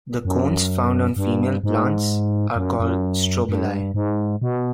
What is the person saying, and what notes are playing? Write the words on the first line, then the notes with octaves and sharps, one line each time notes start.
The cones found on female plants are called strobili.
F#2
G2
G#2
F#2
F#2
G2
F#2
G2
G#2
B2